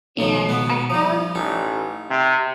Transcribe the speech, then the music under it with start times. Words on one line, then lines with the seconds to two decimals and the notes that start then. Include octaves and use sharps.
and I have
0.19 B1 D#3 F3
0.49 B2 B3
0.90 F3 G3
1.35 A1 D#4
2.10 C3